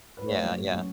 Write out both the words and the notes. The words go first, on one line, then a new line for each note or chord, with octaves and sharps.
Yeah, yeah.
B4
A2 C#5
F#3 C#4
A2
F#3 C#4